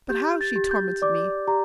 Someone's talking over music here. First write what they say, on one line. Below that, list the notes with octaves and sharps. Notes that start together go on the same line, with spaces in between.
But how she tormented me!
G4 G6
A6
G4
G6
D5 D6
G4 A#5